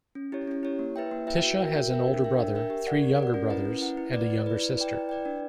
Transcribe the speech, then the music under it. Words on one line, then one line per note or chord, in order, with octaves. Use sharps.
Tisha has an older brother, three younger brothers, and a younger sister.
C#4
E4 G4 C#5
C#4
E4 G4 C#5
A#3
E4 B4 E5 G5
A#3
E4 B4 E5 G5
F#4
A#4 E5 G5
F#4
A#4 E5 G5
D4
A#4 E5 G5
D4
A#4 E5 G5
G4
A#4 D5 F#5
G4
A#4 D5 F#5
C#4
E4 B4 F#5
C#4
E4 B4 F#5
E4
B4 D5
E4
B4 D5
E4
B4 D5 G5
E4
B4 D5 G5
D4